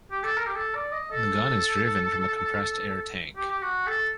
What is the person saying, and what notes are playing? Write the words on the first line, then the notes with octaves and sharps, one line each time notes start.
The gun is driven from a compressed-air tank.
G4
A4
A#4
G4
A4
D5
D#5
A4
G4
G4
F#4
A4